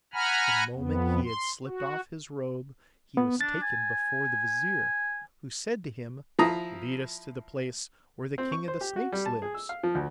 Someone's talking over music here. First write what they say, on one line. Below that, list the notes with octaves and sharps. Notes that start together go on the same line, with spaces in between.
The moment he had slipped off his robe he was taken before the Vizir, who said to him, 'Lead us to the place where the King of the Snakes lives.'
F#5 G#5 A#5 B5 F6
F2 B3
C6
F#4
B3
D4 A6
G#5
F3 E4 A#5 D#6
C4
C#6
C5
G4
F#4
G3
A5
G#4
E6
F5
F3
D2